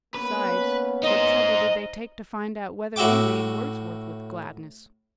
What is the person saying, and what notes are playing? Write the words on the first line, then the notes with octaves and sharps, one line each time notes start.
Besides, what trouble did they take to find out whether we read Wordsworth with gladness?
A#3 B3 C#4 B4
D#4 C5 D#5
A2 F#4 E5 G5 D6